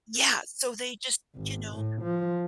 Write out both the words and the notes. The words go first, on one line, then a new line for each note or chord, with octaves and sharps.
Yeah, so they just you know,
G#1
A2
F3